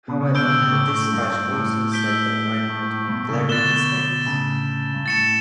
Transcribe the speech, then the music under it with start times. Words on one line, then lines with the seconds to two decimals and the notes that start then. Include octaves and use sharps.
However, the Dispatch also said that Rinehart made glaring mistakes.
0.08 B2
0.21 C#3
0.35 B2 D3 E6 G6 D7 G7
0.61 A2 C#3
0.87 A2
1.13 G2
1.52 A2
1.92 E6 G6 B6 D7 G7
2.69 A2
2.90 A2
3.09 G2 B2
3.29 A2 C#3
3.49 B2 D3 A6 E7 G7
4.26 A2 C#3
4.94 G2
5.05 A2 A6 C#7 E7